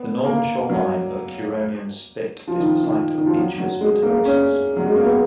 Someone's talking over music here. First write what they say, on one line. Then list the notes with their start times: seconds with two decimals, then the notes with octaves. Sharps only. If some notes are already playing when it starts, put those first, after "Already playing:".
The northern shoreline of Curonian Spit is the site of beaches for tourists.
Already playing: B3
0.25 A#3
0.69 F#3
2.47 F3
2.59 D#3
2.83 D#3
3.17 D#3
3.26 F3
3.36 F#3
3.58 F#3
3.81 G#3
4.03 A#3
4.25 C#4
4.77 F#3
4.86 G#3
4.96 A#3
5.05 B3